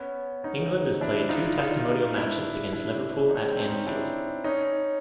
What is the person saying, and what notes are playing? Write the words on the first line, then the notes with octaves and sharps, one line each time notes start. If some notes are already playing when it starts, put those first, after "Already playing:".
England has played two testimonial matches against Liverpool at Anfield.
Already playing: B3 C#4
C#4 D#4
D4 E4
D#4 F4
D#4 F4
D4 E4
D4 E4
C#4 D#4
C4 D4
C#4 D#4
D4 E4
C#4 D#4